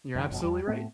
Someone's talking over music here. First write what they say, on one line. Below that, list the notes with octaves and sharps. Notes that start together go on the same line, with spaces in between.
You're absolutely right,
F#2 D#3
G1 F#2 B2
E2 G3
A2 A3 B3 C4